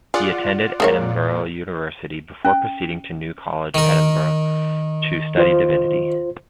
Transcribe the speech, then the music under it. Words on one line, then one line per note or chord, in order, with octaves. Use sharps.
He attended Edinburgh University, before proceeding to New College, Edinburgh to study divinity.
F4 G#4 D5 F#5
A#2 G#3 A#3 C#5
C#4
D#3 A#4
F4 C5